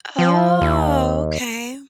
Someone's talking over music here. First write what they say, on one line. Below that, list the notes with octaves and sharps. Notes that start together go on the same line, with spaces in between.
Oh, okay.
F3
D#2